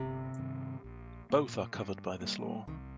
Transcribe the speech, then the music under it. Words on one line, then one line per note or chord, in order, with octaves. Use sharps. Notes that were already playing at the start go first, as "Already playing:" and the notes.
Both are covered by this law.
Already playing: G1 C3
G2 D#3 C4
A#1
A#2 A#3
G2
G3 A#3
C2 D#3